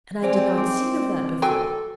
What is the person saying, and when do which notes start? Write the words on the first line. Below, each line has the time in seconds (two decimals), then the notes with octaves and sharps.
And I did not think of that before!
0.23 C4 G#4 C5 D5 G#5
0.57 D#3 C6 D6 D7
1.42 F#3 A4 G5 G#5